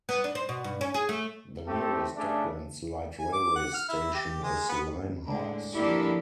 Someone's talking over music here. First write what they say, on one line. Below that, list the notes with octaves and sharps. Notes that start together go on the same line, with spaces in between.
The nearest Docklands Light Railway station is Limehouse.
B3
D4
C5
B2
G2
C#4
G#4
A3
A3 C4 G4 A4
C#3 A3 D4
G#5
D6
F#5
F6
E4
G4
G#3
B3
A2 D3 G#3
F3 A#3 D4 E4 G4 A4